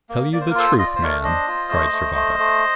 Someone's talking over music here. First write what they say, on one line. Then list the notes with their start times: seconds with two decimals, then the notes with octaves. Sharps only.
"Tell you the truth, man!" cried Servadac.
0.09 A#3
0.33 A#3 D5
0.41 C5
0.50 A#4
0.55 F4 A4 C5
0.79 F4 D#5
0.86 D5
0.96 C5
1.02 A3 A#4 D5
1.24 D4 C5 D#5
1.47 F4
1.70 A3
1.92 A3
2.15 A3
2.39 A3